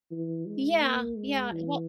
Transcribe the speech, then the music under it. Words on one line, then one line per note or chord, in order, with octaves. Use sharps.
Yeah, yeah. Well,
E3
G#3
A#3
G#3
E3